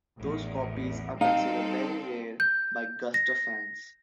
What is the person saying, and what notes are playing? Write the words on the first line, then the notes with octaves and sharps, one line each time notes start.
Those copies are considered very rare by Guster fans.
A1 E2
G3 C4 D#4 A4 F5 G5
G6
A#6